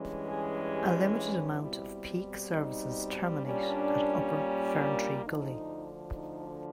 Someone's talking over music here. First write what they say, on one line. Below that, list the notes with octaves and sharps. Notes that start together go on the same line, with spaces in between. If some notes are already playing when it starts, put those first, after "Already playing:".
A limited amount of peak services terminate at Upper Ferntree Gully.
Already playing: G2 E3 G#3 C#4
G#4
G4
E4
B2 G3 C4
D#4
A#2 G3 A#3 C#4 D4
D4
D2 D3 F3 D#4
D#4